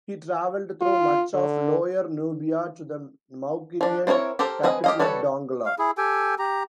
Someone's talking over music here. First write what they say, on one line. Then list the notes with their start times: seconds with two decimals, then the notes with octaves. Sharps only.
He traveled through much of Lower Nubia to the Makurian capital at Dongola.
0.81 F4
1.34 D3
3.81 F3 D4
4.07 C4 E4 G#4 A#4 C#5
4.39 G4 A4 A#4 C5
4.63 C4 G#4 B4 D#5
4.84 G4 D#5 F5
4.99 G3 F#4 A4 B4 C#5
5.66 F5
5.79 E4 G#4
5.98 G4 A4 G5 G#5
6.39 G4 A#5